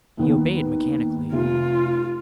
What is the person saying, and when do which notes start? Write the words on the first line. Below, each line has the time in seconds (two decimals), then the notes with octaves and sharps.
He obeyed mechanically.
0.17 D#2 D#3 B3
1.33 F1 F4